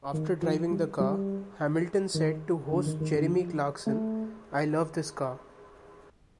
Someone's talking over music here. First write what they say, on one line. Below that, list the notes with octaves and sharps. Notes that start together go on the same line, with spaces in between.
After driving the car, Hamilton said to host Jeremy Clarkson I love this car.
D#3
F3
G3
G3
D#3
D3
D#3
D#3
D3
F3
A3